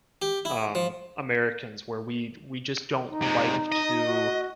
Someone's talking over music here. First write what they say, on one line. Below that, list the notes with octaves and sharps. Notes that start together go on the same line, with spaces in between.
um, Americans where we we just don't like to
G4
E4
F3
D#4
C3 G#3
D#5
F#4